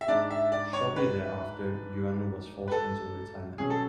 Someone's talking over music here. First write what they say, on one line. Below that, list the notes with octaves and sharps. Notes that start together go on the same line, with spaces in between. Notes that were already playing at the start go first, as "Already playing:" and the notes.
Shortly thereafter Yuan was forced into retirement.
E5
G#2 G#3 D4 D5
E5
D5
C#5
B4
B4
A4
B2 F#3 C#4 G#4
A4